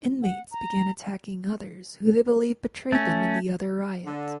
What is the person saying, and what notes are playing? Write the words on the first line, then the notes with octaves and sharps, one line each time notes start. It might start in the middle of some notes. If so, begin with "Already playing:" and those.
Inmates began attacking others who they believed betrayed them in the other riot.
F#5
A#5
A3 C#4
D3